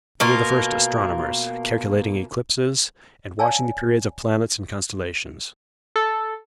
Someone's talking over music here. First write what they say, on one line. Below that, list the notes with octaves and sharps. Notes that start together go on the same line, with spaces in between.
They were the first astronomers, calculating eclipses, and watching the periods of planets and constellations.
B2 A#3 F4
C#5 D5 F5 G#5 A5 E6
A4